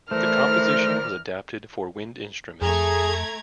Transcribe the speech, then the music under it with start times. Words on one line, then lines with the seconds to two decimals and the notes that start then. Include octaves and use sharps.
The composition was adapted for wind instruments.
0.11 E3 A3 A#4 C5 D5 F6
2.62 F2 A3 G#4 A#5 G#6